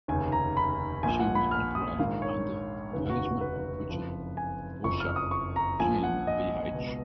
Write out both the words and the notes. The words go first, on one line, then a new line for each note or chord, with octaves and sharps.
She was operated under the management of Richard Borchard GmbH.
F1 D#2 C#3 G#5
A#5
B5
A#1 A#2 F3 G#5
F#5
B5
F6
D#6
A#1 G#2 D#3 F5
C#5
F1 D#2 C#3 B4
F#4
F#4
B4
F#1 F2 F3
G#5
F#1 F2 F3 C#6
F6
D#6
C#6
A#5
A#1 A#2 F3 G#5
F#5
D#5
C#2 B2